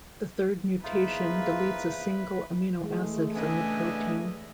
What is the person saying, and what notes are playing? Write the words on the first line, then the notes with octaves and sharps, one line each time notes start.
The third mutation deletes a single amino acid from the protein.
E2 F3 A#3 D#4 F4 B4 E5
E3 G#3 A3
C#3 B3 D4 D#5 E5 G#5